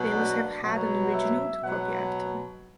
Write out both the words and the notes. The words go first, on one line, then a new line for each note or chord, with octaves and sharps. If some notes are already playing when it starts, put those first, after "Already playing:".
They must have had an original to copy after.
Already playing: B2 F#3
D4
B2 F#3 F#4
E5
B2 F#3 F#5